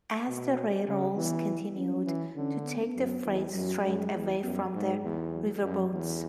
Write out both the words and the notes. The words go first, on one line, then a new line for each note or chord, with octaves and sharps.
As the railroads continued to take freight trade away from the riverboats.
B2
C#3
E3 B3
C#4
E3
D3 C#4
B3
F#2
E2
F#2 F#3
F#2 G#3
E2
F#2 B3
G#2 G#3
E2
F#3
F#2 F#3
E2 E3